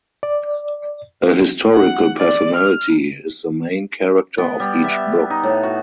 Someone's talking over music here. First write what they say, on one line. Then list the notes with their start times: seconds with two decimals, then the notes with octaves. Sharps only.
A historical personality is the main character of each book.
0.23 D5
1.73 F#5
2.17 D5
2.56 F6
4.38 B3
4.60 G3
4.84 E5
5.30 D#4
5.43 A2
5.63 F#4